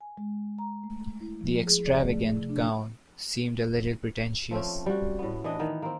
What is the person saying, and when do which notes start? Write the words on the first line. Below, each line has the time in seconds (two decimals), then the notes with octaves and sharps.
The extravagant gown seemed a little pretentious.
0.01 G#5
0.17 G#3
0.59 A#5
0.84 A3
1.20 E4
1.41 F3
1.66 G#4
1.86 D5
2.05 A3
2.37 C3
2.49 D4
4.51 F3 A3 C4 C#4
4.86 G3 F#4
5.19 A2 B3
5.44 E3 D4 D#5
5.59 D#3 E3 B3
5.82 A#3 C4